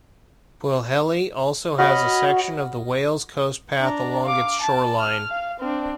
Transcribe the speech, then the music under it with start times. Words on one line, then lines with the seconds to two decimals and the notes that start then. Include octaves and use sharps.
Pwllheli also has a section of the Wales Coast Path along its shoreline.
1.78 F#4 C#5 D#5 B5 F6
3.79 D4 A#5
4.23 F5 D6
4.60 A5
5.00 F6
5.30 F5
5.60 C4 D4